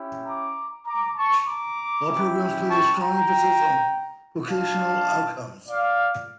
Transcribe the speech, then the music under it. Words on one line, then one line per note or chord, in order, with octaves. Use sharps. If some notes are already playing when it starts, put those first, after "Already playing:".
All programs place a strong emphasis on vocational outcomes.
Already playing: C#4 E4 G4
A#5 D6
A#5 D6
A5 C#6
A#5 D6
C#4 E4 G4
A5 C#6
G5 A#5
G3 D4 F4 F5 A5
D5 F5